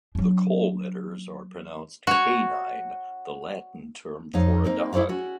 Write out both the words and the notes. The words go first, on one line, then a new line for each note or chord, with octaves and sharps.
The call letters are pronounced "canine", the Latin term for a dog.
F#3 D4
F#4 C#5
F2 D#4 C#5 F5
A#3 C4 D#4
E4 A4 C5 D5 F5
C#4 F#4